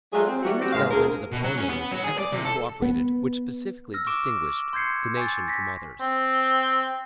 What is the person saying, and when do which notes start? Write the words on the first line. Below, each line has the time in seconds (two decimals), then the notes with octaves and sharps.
In the development of the Polonaise everything co-operated which specifically distinguished the nation from others.
0.13 F#3 G#3 A3 D4 F4 G#4
0.27 C4
0.42 E3 F#3 G3 A3 F#4
0.61 C4 F#4 G4
0.73 D#2 G#2 G#3 F5
0.91 D2 G#4 A#4
1.32 B2
1.44 F#3
1.57 C#4
1.69 B3
1.92 F#3
2.04 G#4
2.19 D5
2.33 C3
2.45 A4
2.82 B3
3.94 E6 F6 A#6
4.07 C#6 D6 D7 E7
4.73 C6 G6 G#6 C7 C#7
5.17 G#5 C#6 A6
5.48 A#6 B6
6.00 C4